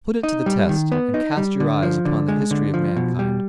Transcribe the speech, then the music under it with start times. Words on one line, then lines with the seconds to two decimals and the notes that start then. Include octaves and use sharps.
Put it to the test and cast your eyes upon the history of mankind.
0.23 D#4
0.46 G3
0.69 D#3
0.92 B3
1.14 D#4
1.37 G3
1.60 D3
1.83 F3
2.05 D3
2.28 G#3
2.51 D3
2.74 F3
2.96 B2
3.19 G3